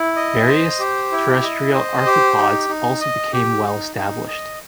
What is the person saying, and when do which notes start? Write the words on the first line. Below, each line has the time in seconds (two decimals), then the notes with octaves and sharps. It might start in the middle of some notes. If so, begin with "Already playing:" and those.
Various terrestrial arthropods also became well-established.
Already playing: E4
0.16 D#5
0.48 C5
0.79 G4
1.12 E4
1.43 D#5
1.74 C5
2.06 G4
2.38 D#4
2.69 D#4
3.01 D#5
3.33 G4
3.64 D#4
3.96 D#4
4.28 D#5